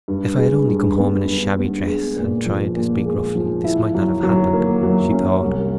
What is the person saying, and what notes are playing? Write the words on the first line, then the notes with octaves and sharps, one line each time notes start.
"If I had only come home in a shabby dress, and tried to speak roughly, this might not have happened," she thought.
G2
G#3
G2
B3
G2
B3
G#3
A#2
F3
A#2
G#3
F3
E4
F#3
F#3
A#3
F#3
C#4
C2